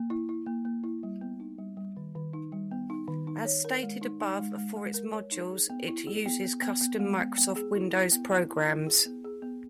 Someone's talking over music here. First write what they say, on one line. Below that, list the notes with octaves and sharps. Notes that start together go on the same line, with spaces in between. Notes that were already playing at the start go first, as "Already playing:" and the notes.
As stated above, for its modules it uses custom Microsoft Windows programs.
Already playing: A#3
E4
E4
A#3
A#3
E4
G3
B3
D#4
G3
G3
D#3
D#3
D#4
G3
B3
D#4
D#3
D#4
C#5
A#4
G#3
D#4
D#4
G#3
G#3
G#3
A#4
C#5
D#4
G#4
B3
E4
G#4
B3
B3
B3
B3
G#3
B3
B3
G#4
E4
E4
B3
E4
E4
E4
G#4
B3
G#4
B3